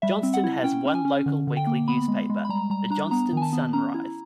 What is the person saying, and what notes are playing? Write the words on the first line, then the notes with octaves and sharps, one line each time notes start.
Johnston has one local weekly newspaper, the Johnston Sun Rise.
G3 E5
C4
F#5
E4
C#4 G5
C#4
G#5
C#4
D3
D3
G5
A#3
B3 B5
G#3
G#3
B5
G3 A#5
G3 A#5
D4 A#5
B3 A#5
D#3 G#5
A5
B3
C#4 A#5
E4